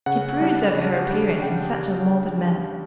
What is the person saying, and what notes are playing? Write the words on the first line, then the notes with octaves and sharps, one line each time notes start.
She broods over her appearance in such a morbid manner.
C#3 F#5
G3 D4
C#3
G3 D4
C#3 G5